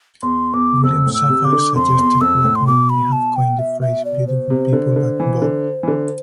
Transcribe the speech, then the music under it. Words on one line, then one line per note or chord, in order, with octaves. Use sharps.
William Safire suggested Blackmon may have coined the phrase "beautiful people" at "Vogue".
E2 C6
E2 D6
F2 E6
A2
E6
C3
C3 D6
D3
F2 C6
E2
F2 E6
A2
C6
B2 D6
B5
A5
G5
E5
E5
D5
C5
C3
D3
D3
E3
D3
E3
D3